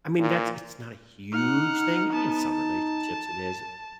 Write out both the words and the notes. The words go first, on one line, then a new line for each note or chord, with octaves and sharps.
I mean that's it's not a huge thing, maybe in some relationships it is
A#2
D#4 F#5 F6
B3 A5
A5